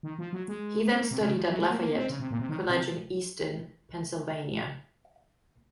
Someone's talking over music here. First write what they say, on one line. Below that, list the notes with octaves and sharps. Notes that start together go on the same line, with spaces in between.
He then studied at Lafayette College in Easton, Pennsylvania.
D#3
F3
F#3
G#3
A#3
C4
A#3
C3
C#3
F3
F#3
G#3
A#3
A#3
C4
C#3
C3
A#2
C3
D#3
C3